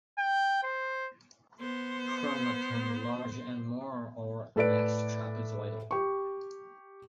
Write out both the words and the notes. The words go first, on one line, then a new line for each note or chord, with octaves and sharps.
Pronotum large and more or less trapezoidal.
G5
C5
B3 C5
A2 A4 B4 D5 D7
G4 C#6